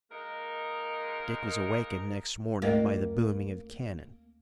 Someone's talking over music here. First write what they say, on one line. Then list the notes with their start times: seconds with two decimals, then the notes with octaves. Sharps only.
Dick was awakened next morning by the booming of cannon.
0.11 G#3 A#3 D#4 A#4
2.62 D2 A3 A#3 F4